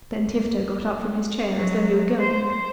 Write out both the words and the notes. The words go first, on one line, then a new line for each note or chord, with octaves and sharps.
Then Tifto got up from his chair, as though he were going.
F#3
C5